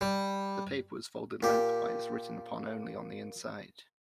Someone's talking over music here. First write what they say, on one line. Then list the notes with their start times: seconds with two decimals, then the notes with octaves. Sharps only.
The paper was folded lengthwise, written upon only on the inside.
0.01 G3
1.43 A#2 G4